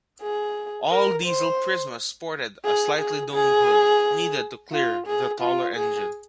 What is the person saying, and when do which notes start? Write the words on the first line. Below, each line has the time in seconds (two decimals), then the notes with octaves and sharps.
All Diesel Prismas sported a sightly domed hood, needed to clear the taller engine.
0.22 G#4
0.91 A#4
1.26 C5
2.65 G#4
2.99 G#4
3.34 G#4
4.73 F4
5.07 G#4
5.41 F4
5.76 G#4